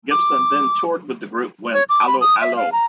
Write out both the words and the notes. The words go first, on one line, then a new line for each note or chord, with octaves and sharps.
Gibson then toured with the group when 'Allo 'Allo!
D6
C#5
D6
B5
D#6
E5
F5
A#5